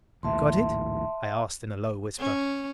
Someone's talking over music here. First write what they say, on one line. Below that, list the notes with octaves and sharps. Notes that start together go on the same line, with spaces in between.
"You got it?" I asked in a low whisper.
A#1 D#2 A2 E5 A5 C6
C#4